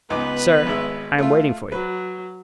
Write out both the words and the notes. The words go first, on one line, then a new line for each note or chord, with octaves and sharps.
"Sir, I am waiting for you."
C#2 B3 D#4 B4 D6
G#1 G#3 E5
A3 F4
F#3 B4